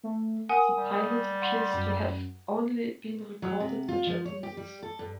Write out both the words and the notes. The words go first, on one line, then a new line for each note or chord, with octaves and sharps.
The pilot appears to have only been recorded in Japanese.
A3
A#4 F#5 G#5 D#6
G3
F#5 C6
F#2
F#3
C3
F4
F3
C#5
G4
G3
A4
G2